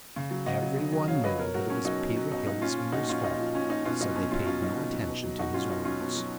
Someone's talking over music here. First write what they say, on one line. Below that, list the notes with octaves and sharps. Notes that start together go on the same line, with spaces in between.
Every one knew that it was Peter Hildesmuller's fault, so they paid no attention to his words.
C#3
F#3
C#3 D#5 F#5
F#3
C#3
F#3
C#3 C#5 F5
F#3 B4 D#5
B2 A#4 C#5
F#3 F#4 A#4
B2 C#4
F#3 D#4
B2
F#3
B2 D#4
F#3 D#4
A#2 C#4 F4
F3
A#2 D#4 F#4
F3 C#4 F4
A#2 D#4
F3
A#2 C#4
F3 D#4
B2 C#4 F4
F#3 D#4
B2 C#4
F#3 C#4 F4
B2 C#4 F4
F#3 D#4
B2
F#3
B2
F#3
B2 D#4 F#4
F#3 C#4 F4
B2 D#4
F#3 C#4 F4
B2 C#4
F#3